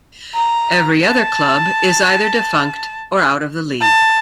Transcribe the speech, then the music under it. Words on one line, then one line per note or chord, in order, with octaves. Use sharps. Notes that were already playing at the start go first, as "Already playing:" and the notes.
Every other club is either defunct or out of the League.
A#5
A5
A5